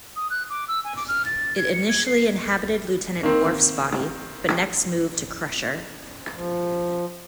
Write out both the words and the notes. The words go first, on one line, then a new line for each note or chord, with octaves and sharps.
It initially inhabited Lieutenant Worf's body, but next moved to Crusher.
D#6
F#6
D6
E6
G#5
D6
F6
A6
G#6
C#7
G#6
C7
D#3 A#3 C4
F3